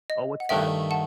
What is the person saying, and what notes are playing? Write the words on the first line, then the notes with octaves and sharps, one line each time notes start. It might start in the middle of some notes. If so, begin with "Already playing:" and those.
Oh, what's that?
D#5
F#5
G2 D#3 A3 E5 G5
F#5 A5